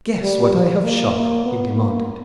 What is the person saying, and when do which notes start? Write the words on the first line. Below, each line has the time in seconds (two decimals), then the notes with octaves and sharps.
"Guess what I have shot," he demanded.
0.22 G3
0.83 A#3
1.15 A#3
1.45 B3
1.76 A#3